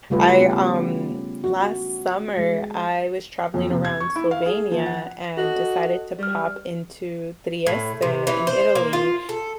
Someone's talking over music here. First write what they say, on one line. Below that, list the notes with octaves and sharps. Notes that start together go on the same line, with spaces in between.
I, um, last summer, I was traveling around Slovenia and decided to pop into Trieste in Italy,
C#3 G3 A3 F4 G4 B4
B3 C#4 G4
F#4
G#3
F2
C3
G#6
C#6
E4
F5
G#4
F3
F#5
F#4 A4 D#5
G3 G4 F6
A2
C3
E3
C5
A#3
F4
A4